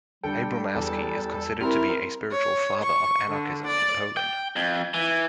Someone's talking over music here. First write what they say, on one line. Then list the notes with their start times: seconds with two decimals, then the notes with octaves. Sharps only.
Abramowski is considered to be a spiritual father of Anarchism in Poland.
0.23 D3 G3 A4 G5
0.75 E2 A4
1.60 G3 C4 E4 A#4 A#5 F6
2.32 C#5
2.82 C#6
3.30 D3
3.67 D5
4.17 G5
4.56 F2
4.94 E3